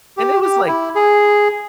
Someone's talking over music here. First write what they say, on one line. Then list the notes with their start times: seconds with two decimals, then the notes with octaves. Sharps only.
And it was like
0.17 G4
0.42 G4
0.68 E4
0.95 G#4